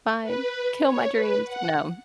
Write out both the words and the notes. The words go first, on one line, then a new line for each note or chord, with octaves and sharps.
Fine. Kill my dreams, no.
B4
C#5
B4
F#5